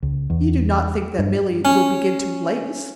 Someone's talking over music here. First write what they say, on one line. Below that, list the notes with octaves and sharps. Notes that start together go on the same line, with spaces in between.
"You do not think that Milly will begin to lace?"
C#2
E2
G2
C#4